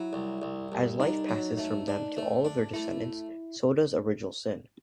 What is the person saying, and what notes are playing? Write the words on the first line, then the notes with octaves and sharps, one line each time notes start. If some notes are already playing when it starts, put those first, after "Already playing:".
As life passes from them to all of their descendants, so does original sin.
Already playing: F#3 E4
C2
C2
C2
D4 D#4
F#3
A3
D4
A3
D4
A3 E4